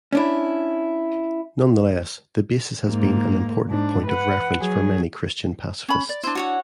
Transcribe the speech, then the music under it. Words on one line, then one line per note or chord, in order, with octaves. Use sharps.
Nonetheless the Basis has been an important point of reference for many Christian pacifists.
C#4 D4 E4
G#2 A#3
G#2 D4
B4 F#5
F#3 G#4
C#4 B5
D5
D4 E4 C5
F#4 C#5 F#5